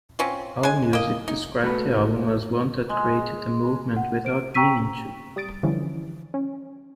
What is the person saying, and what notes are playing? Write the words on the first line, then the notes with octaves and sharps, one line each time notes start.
Allmusic described the album as one that created a movement without meaning to.
C4 C#4 F4
G#3 G#5
A#3 D#5
D#4
A3 B3 F#4 B4
G#3
F#5
C5 D7
G5 A#5 C#6 E6 B6 D#7
G3 D#6 A6 D7
D3 E3 F3 G3 C#4
C#4